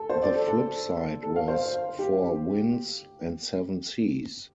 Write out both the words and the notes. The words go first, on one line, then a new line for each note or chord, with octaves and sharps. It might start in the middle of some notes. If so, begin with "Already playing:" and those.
The flip side was Four Winds and Seven Seas.
Already playing: A4
C5
D5
A4
A4
A4
F5
C5
G4